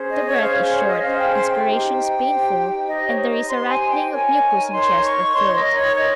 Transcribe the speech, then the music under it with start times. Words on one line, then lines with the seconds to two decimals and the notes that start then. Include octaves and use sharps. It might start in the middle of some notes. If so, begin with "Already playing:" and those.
The breath is short, inspirations painful, and there is a rattling of mucus in chest or throat.
Already playing: C#4 G#4 C5
0.10 D#5
0.26 C#5
0.41 C#4 G#4 C5 F5
0.72 C#5
0.87 D#5
1.02 C#4 G#4 C5 F5
1.18 G5
1.34 C6
1.49 G5
1.64 D#4 G4 C5
2.26 D#4 G4 C5
2.87 D#4 G4 C5 D#5
3.08 C#5
3.28 D#5
3.49 D#4 G4 C5 C6
3.70 G#5
3.90 G5
4.10 D#4 A#4 C#5 G#5
4.72 D#4 A#4 C#5 C6
5.03 C#6
5.33 D#4 A#4 C#5 C6
5.54 D#5
5.74 C#5
5.95 D#4 A#4 C#5 D#5